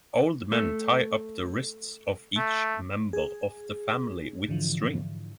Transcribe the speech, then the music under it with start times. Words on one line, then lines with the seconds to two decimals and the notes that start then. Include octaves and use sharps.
Old men tie up the wrists of each member of the family with string.
0.52 A3
2.36 A3
3.13 G#4
4.48 G#2 D3 E3 F3